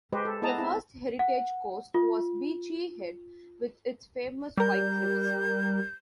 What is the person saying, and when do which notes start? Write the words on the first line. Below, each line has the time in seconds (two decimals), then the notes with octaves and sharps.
The first heritage coast was Beachy Head with its famous white cliffs.
0.13 G#3 G4 B4 C5 D#5
0.25 A4
0.42 B3 E4 G#4 D#5 A5 A#5
0.58 C4 E4 A5
1.19 F#5
1.94 F4
4.57 G3 A#4 G6